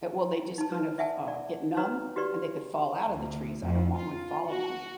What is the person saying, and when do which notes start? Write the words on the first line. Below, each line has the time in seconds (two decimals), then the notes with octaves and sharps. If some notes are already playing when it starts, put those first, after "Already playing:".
at well, they just kind of, uh, get numb and they could fall out of the trees. I don't want one falling on me,
0.58 D#4 A5
0.72 B4
0.98 D5 E5 F#5 G#5 A5
1.28 D5
1.77 D#4 F#4 B4 C#5
2.16 F#4 G4 B4 D5 C6
3.10 D2
3.63 F2
3.97 F4
4.46 F#4